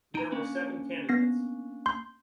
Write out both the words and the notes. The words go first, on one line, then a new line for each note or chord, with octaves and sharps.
There were seven candidates.
D#4 A#5 D7
A#3 C#4 D4
B3 A#6 C7
C6 G6